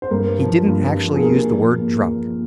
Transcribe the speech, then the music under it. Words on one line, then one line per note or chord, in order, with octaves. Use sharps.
He didn't actually use the word 'drunk.'...
C5
G2 A#4
F3
G2
F3
G#4
A#2 A#4
F3
A#2
F3